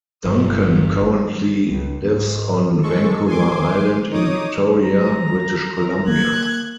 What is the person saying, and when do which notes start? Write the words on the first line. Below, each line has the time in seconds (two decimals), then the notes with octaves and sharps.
Duncan currently lives on Vancouver Island in Victoria, British Columbia.
0.25 G1
1.69 C#2
2.06 G#2
2.83 G#3 A4 C#6
3.27 G#5 C6 D6
4.12 D#4 C#5 D6 D#6
4.83 A#5
6.08 A#3 F#6 G#6